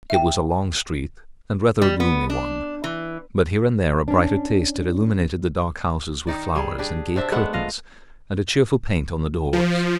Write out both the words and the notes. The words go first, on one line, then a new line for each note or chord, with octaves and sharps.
It was a long street, and rather a gloomy one, but here and there a brighter taste had illuminated the dark houses with flowers, and gay curtains, and a cheerful paint on the doors.
E5 G5
G3
B3
D4
E3
C#4 D4
D#3 D#4 D5
G3 G#4
D4 G4 G#4
C4 D4 E5
G#3 A3 B3 F#5
F4 D#5 F5
F3